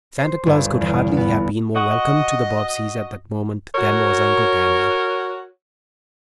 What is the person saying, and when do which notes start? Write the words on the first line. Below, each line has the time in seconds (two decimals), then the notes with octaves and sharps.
Santa Claus could hardly have been more welcome to the Bobbseys at that moment than was Uncle Daniel.
0.18 C5
0.46 G1
0.81 E2
1.17 B3
1.76 F#4 D#5
3.74 F#4 A#4 C#5